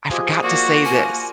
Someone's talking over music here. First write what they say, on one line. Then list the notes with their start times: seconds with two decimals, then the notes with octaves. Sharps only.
I forgot to say this'"
0.10 F3 G4 G#4 D#5
0.43 A#3 F#4 D5
0.85 G#5